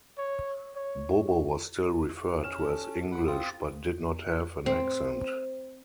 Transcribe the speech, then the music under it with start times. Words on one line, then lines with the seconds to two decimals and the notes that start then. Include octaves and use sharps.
Bobo was still referred to as English but did not have an accent.
0.18 C#5
0.76 C#5
2.44 C#4 F6 E7
2.60 A4 A5
3.12 F#5 B5
3.27 C4 F4 D#6
4.66 C4